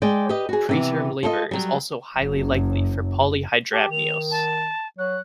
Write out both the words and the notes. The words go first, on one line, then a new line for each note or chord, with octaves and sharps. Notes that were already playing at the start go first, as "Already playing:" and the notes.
Preterm labor is also highly likely for polyhydramnios.
G#3 D5 G5
G4 B4 D#5
F#4 G#4
C3 E3 B3
F4 A4 C5 D#5
F#3 G3
F#1 F#2
G4 A5
D#3 F7
A5
F#3 F#6